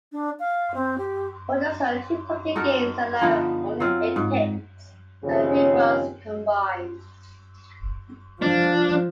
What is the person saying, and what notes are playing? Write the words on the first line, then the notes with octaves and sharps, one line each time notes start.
Walters hurled two complete games, allowing only eight hits and three runs combined.
D4
F5
C4
G4
D#4 F#4 A4 A#4
D3 F3 B3 D#4
F#3 C4 F4
G#2
D#2 C#3 F3 C4 C#4 G#4
F3 D4